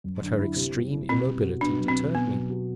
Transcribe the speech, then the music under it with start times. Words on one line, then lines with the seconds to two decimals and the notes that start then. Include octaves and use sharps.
But her extreme immobility deterred me.
0.04 F#2
0.21 D3
0.39 E4
0.56 C3
0.74 G3
0.91 E4
1.09 B2 C4
1.26 G3
1.44 F#4
1.61 B2 D4
1.79 F#3
1.88 C4
1.97 B2
2.15 B2 B3
2.32 F#3
2.50 F#4